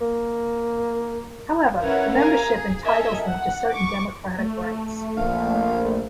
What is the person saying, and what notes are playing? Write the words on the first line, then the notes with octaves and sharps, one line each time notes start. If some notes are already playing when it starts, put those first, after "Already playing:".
However, the membership entitles them to certain democratic rights.
A#3
C#4 E4 A#4 B4 C#5 F#5
A#4 F5 G#5 A#5
G#4
A4 A#4 D#5 E5 G#5
F#5
C#6 D6
A3
A#1 F5